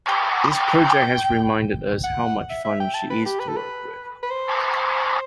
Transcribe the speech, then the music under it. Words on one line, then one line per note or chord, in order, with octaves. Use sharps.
This project has reminded us how much fun she is to work with.
G5
G5
F#5
G5
F#5
E5
E5
G5
A5
B4
G4
B4
A4
B4
B4
C5